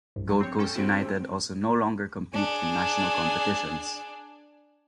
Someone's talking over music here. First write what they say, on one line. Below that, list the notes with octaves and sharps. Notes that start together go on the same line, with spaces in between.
Gold Coast United also no longer compete in national competitions.
C2 G2
F#3
C4 C#5 G6
C#4 A4 G5
C4 E4 F#4 G4
A#2 D3 G#3
D4 G#4